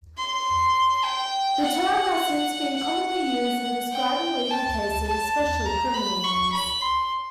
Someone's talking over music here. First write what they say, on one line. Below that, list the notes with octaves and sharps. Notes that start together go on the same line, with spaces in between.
The term has since been commonly used in describing legal cases, especially criminal ones.
C6
G5
F#5
F#5
G5
A5
A5
A#5
B5
C#6
B5
C6